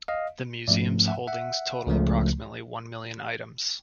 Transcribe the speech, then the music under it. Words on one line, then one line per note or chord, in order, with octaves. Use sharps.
The Museum's holdings total approximately one million items.
D#5 F5
G#2 F3 A3 C#4 D5 E5
E5 F#5
E5 F#5
C#2 C#3 F3 A3